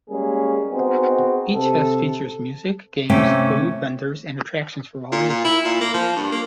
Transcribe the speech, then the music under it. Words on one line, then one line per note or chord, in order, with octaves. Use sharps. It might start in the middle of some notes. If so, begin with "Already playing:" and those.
Beachfest features music, games, food vendors, and attractions for all ages.
G3 G#3 A#3 C#4 G#4
B3 C4 D#4 F#4 G#4
C3 A4
C3 A3 A#3 C#4 G5
A#2
A#2
E4
A#2
A#3
F3
G2
A#3